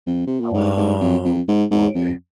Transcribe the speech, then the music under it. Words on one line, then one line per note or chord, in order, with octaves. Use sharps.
Oh, boy.
F2
C3
A#2
G#2
G#2
F2
F2
G#2
G#2
F2